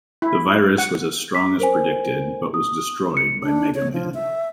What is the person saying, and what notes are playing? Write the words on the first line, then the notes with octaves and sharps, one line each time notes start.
The virus was as strong as predicted, but was destroyed by MegaMan.
E4
F#5
D6 B6
A#4 C5 G#5
D#6
C#7
D4
C#5
F3
E5